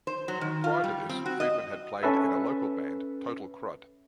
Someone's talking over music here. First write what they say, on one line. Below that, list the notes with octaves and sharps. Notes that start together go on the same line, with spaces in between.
Prior to this, Friedman had played in a local band, Total Crud.
C5
F#3
D#3
F4
G3
C4
F#4
D#5
C#4 A4 B4 E5